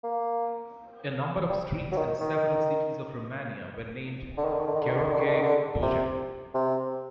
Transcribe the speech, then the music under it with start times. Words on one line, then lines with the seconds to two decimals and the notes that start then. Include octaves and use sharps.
A number of streets in several cities of Romania were named "Gheorghe Doja".
0.03 A#3
1.49 G3
1.92 F#3
1.96 D#3
2.21 D#3
4.37 D3
4.45 D#3
4.53 D3
4.60 D#3
4.67 D3
4.75 D#3
4.82 D3
4.90 D#3
4.97 D3
5.05 D#3
5.13 D3
5.20 D#3
5.27 D3
5.35 D#3
5.42 D3
5.82 C3
6.54 C3